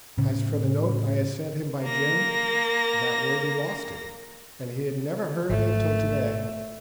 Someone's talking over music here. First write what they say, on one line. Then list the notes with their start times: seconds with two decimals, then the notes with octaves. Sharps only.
As for the note I had sent him by Jim, that worthy lost it, and he had never heard of it till to-day.
0.18 A2 C#3 C#4
1.83 A#3 A#6
5.49 G#1 A3